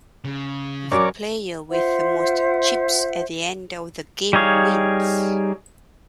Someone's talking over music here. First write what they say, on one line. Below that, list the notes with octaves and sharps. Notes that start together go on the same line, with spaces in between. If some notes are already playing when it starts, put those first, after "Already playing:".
The player with the most chips at the end of the game wins.
C#3
F#2 A#4 C#5 D5 D6
F4 C5 E5 F#5
G3 D#4 G#4 C#5 F5